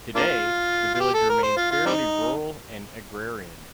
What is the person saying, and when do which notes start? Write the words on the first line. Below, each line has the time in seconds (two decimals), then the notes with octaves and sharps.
Today, the village remains fairly rural and agrarian.
0.16 A#3 D4 F4
0.95 F4
1.00 G4
1.15 A4
1.30 A#4
1.43 C5
1.57 F4
1.71 F4
1.86 G3 C4 D#4